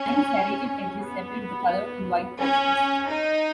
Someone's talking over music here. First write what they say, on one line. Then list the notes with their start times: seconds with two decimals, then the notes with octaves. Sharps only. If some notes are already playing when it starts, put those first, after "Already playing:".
Nine serrated edges separate the colored and white portions.
Already playing: C#4
1.02 B3
2.41 C#4
3.11 D#4